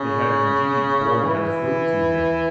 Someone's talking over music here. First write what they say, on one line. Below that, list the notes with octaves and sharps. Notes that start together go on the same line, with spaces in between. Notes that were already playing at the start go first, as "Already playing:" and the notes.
They had indeed borne their fruit to him.
Already playing: C#3
E3